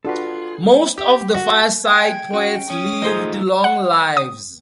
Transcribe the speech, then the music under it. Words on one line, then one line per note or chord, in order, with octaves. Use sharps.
Most of the Fireside Poets lived long lives.
D4 F4 F#4 A4 B4
G4
F#4
G5 G#6
C#4 F#4
C#4 D#6
F3 A3 D#4 G#4 C5 D#5
F#5
D#6